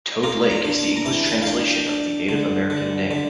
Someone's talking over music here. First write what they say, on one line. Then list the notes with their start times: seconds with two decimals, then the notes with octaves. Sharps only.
Toad Lake is the English translation of the Native American name.
0.23 F4 A#5
0.51 A#5
0.65 D4
0.78 A5
0.97 A#5
1.05 E3 A5
1.26 A5
1.42 F5
1.47 D4 G5
1.67 G5
1.87 D4
2.29 D3
2.70 D3
3.11 D3